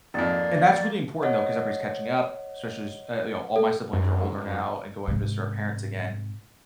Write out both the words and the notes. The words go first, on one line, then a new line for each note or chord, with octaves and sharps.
And that's really important, though, 'cause everybody's catching up, especially as, you know, all my siblings are older now and going to visit our parents again.
G#1 F2 A#3 D5
C#5 D#5 F#5
A4
F#2
G#2 C3